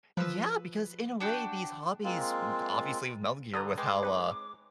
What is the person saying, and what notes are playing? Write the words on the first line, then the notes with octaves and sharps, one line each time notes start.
Yeah, because in a way, these hobbies m obviously with Metal Gear, with how, uh,
F3 B4 E6
D4 F#4 G5
G#3 A#3 C4 F4
D3 E3 D5 A#5 D#6
G#3 B4 G5 D6
C4 D#4 B4 C#5